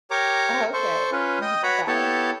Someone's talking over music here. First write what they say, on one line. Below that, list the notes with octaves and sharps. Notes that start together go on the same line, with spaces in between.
Okay, mhm, bye.
G4 A#4 C#5 A#5 D6
A4 C5 C#6
C#4 F4 B4
D#5 G5 D#6
F#4 B4 C#5 A#5 B5
B3 E4 G4 A4 C#5 A5